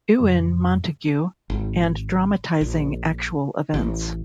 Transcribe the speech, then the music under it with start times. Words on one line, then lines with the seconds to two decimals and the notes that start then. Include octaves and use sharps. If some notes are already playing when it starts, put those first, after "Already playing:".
Ewen Montagu and dramatising actual events.
0.20 F2 A2 C#3 F#3
1.50 G#1
2.61 A#1
3.74 A1